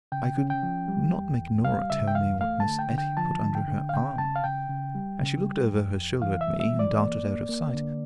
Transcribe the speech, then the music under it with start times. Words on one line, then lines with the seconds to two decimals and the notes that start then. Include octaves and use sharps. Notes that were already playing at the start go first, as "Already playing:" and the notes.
I could not make Norah tell me what Miss Etty put under her arm, as she looked over her shoulder at me, and darted out of sight.
0.12 C#3 G5
0.37 C#4
0.50 G5
0.63 F3
0.88 G3
1.13 E2
1.39 E2
1.64 G3 F5
1.90 C#3 E5
2.08 G5
2.15 E2 F5
2.41 A3 F5
2.60 A5
2.66 D3
2.79 G5
2.91 D3
2.98 G5
3.17 F3 A5
3.42 D3
3.55 G5
3.68 D3
3.89 F5
3.93 C#3 G5
4.18 C#3 A5
4.36 F5
4.44 C#3 G5
4.69 C#3
4.95 G3
5.20 C#3
5.46 G3
5.71 F2
5.96 F2
6.22 E3 F5
6.41 E5
6.47 G3
6.60 E5
6.73 E3
6.79 D5
6.98 A#3
7.23 A#3
7.49 A#3
7.74 D3